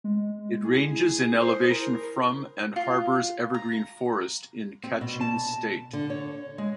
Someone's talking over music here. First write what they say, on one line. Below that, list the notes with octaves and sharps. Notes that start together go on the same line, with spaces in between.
It ranges in elevation from and harbours evergreen forest in Kachin State.
G#3
E4 G#4
C5 D#6
E4 A#4
F4
A#5
C4
B2
A5
D3
C#5
G#3